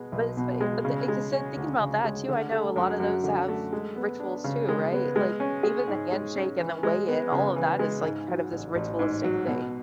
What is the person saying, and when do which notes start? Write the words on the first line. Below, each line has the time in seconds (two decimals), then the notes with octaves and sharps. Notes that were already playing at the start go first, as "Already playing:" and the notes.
But, it's funny but, the like I said, thinking about that, too, I know a lotta those have rituals too, right? Like, even the handshake, and the weigh-in, all of that is, like, part of this ritualistic thing,
Already playing: B2 G#3 B3
0.12 B1
0.37 B2
0.61 G#3
0.85 C#3
1.08 G#3
1.33 C#4
1.56 D2
1.81 C#3
2.04 G#3
2.29 D3
2.52 A3
2.76 F#2
3.00 F#2
3.24 D3
3.48 A3
3.73 G#3
3.96 B3
4.20 D4
4.44 C#3
4.69 G#3
4.92 B3
5.16 G#3
5.40 C#4
5.63 G#4
5.88 G#2
6.12 G#3
6.36 C#4
6.59 E3
6.83 G#3
7.08 B3
7.32 C#3
7.56 E3
7.79 G#3
8.03 G#2
8.28 F#3
8.52 A1
8.75 A1
8.99 G#2
9.24 F#3
9.47 B2